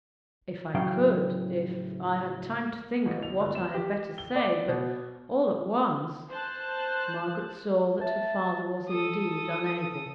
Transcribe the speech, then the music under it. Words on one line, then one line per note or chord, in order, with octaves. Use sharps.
'If I could--if I had time to think of what I had better say; but all at once---- ' Margaret saw that her father was indeed unable.
A2 C#3 F#3 C#4 F5 G5
A1
F7
G1
E7
G4
G7
D5
B2
C5 A5 F#6
E5 A5
A4 D#6